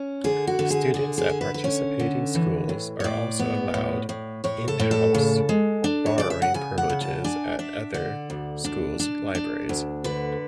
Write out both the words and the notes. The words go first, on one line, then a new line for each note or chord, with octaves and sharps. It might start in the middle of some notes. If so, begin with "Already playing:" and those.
Students at participating schools are also allowed "in-house" borrowing privileges at other schools' libraries.
Already playing: C#4
D3 G#4
F#4
D3
G#4
D3 G#4
G#4
D3
B4
B4
C#4 C#5
D3
E3
A2
C#5
A2 D5
B3
A2
A2
A2 C#5
A4
A2
A4
C#3
G#3
D4
C#5
C#3 D5
E5
F#5
C#3 G#5
F#5
C#3
A5
D4 G#5
D4 E5
D3 D5
D2
D4
D4
D4
D2
D3 B4